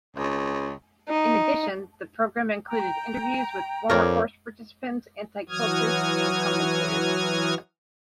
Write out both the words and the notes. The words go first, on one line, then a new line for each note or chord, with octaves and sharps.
In addition, the program included interviews with former course participants, anti-cultists, and commentators.
C#2
D#4
G5 A#5
F2 A#4 C#5 D5
E3 F#3 F#4 D#6 F6 G#6